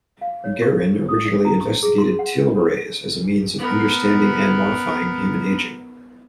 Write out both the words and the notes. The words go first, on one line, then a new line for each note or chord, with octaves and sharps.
Geron originally investigated telomerase as a means of understanding and modifying human aging.
F5
C#5
C#6
D#6
D5
A#5
C#6
G#4
C6
F#5
D4
A4
B3 A#4